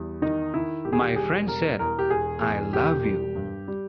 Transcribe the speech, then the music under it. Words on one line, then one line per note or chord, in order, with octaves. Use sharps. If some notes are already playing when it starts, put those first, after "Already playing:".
My friend said: "I love you."
Already playing: E2 G3
D#3 D#4
D#3 E4
E1 G4
G#4
G4
G3 G#4
E1 A#4
E2 A#4
G4
E1 G#4
E2 G#4
E1 G4
G3
G2
G3